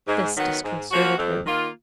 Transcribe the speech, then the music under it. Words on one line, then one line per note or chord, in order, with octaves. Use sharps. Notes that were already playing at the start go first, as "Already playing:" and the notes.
This disconcerted him.
G#2
D#3 F#3 B3
G#2
F3 A#3 C#4 F#4
F2
D#3 A#3 F4